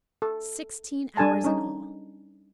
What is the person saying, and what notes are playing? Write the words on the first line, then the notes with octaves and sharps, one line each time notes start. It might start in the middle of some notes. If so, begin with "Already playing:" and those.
"Sixteen hours in all?"
A4
G3 D4 A4 G#5 A5
C#4 D#4